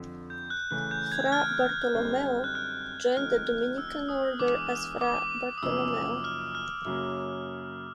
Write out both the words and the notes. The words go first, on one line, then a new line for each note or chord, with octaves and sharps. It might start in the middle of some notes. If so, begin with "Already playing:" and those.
Fra Bartolommeo joined the Dominican order as Fra Bartolomeo.
Already playing: F2 D3 F3
G6
F#6
C#3 E3 A3 F#6
G6
G#6
F6
F#2 D3 G3 C4 D#4
F#6
F6
D3 F3 A3 C4 D#4 F6
E6
D#6
E3 G#3 B3 D4 D6
D6
D#6
F#2 C#3 F3 A#3 D#4 E6
F6
F6
F#2 C#3 F#3 A#3 C#4